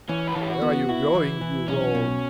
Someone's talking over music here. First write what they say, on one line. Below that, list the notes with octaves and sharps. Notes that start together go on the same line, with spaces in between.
"Where are you going, you rogue?"
E3 C#4
B4
E3 A4
G4
F#4
B3
E4 F#4
E3
E3
B1 C#4
B2